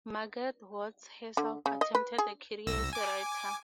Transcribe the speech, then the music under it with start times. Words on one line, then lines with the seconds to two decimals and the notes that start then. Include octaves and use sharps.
Margaret Watts herself attempted a career as a writer.
1.37 D3
1.66 C#3
1.81 D#5
1.95 B4
2.18 G#4
2.67 C2 E6 A#6
2.93 G#5 D6